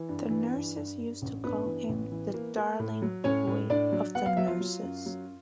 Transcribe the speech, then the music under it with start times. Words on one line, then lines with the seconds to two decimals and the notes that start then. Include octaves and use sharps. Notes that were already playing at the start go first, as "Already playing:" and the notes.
The nurses used to call him ""The darling boy of the Nurses"".
Already playing: E3
0.09 G2
0.30 E3
0.53 G2
0.76 G2
0.99 G2
1.22 A1
1.44 G2 B3 B4
1.66 E3
1.89 A1
2.12 E3
2.34 A#3
2.57 A#3
2.79 A2
3.02 F#3
3.24 A2 C#4 C#5
3.47 A2
3.70 A2 D4 D5
3.92 F#3
4.15 B3 F#5
4.26 F5
4.37 F#3 E5
4.47 F4 F5
4.60 F#3
4.83 F#2
5.06 F#3